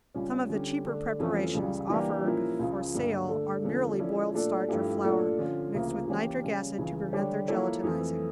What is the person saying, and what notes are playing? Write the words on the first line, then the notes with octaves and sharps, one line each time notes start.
Some of the cheaper preparations offered for sale are merely boiled starch or flour, mixed with nitric acid to prevent their gelatinizing.
C#2 C#3 G3 C#4 F4
D3 G3 C#4 G4
D3 A3 D4
F2 E3 A3 C#4 F4
C#2 C#3 G3
E3 G3 A#3 D4 G4
A#2 F3 C#4 E4 A#4
C#2 C#3 F3
G2 D3 G3 A#3
D3 A3 D4 A4
E2 D3 F3 A3 C#4
F3 C#4 E4 A4 D5
A#2 A3 D4 A4
G2 F3 A3 E4 G4
A#2 A3 D4 F4 A4
D3 F3 C#4 F4
D2 C#3 F3 A#3
E3 A#3 C#4 G4 C#5
C#3 G3 C#4
C#2 C#3 E3
D3 G3 D4 G4 C#5
F3 A#3 E4 A4 C#5
F2 E3 A3